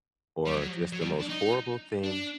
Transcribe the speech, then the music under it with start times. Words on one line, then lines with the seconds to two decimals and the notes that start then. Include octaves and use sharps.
or just the most horrible thing
0.46 G3
0.55 F#3
0.92 F#3
1.01 G3
1.20 D4
1.29 D#4
2.04 D4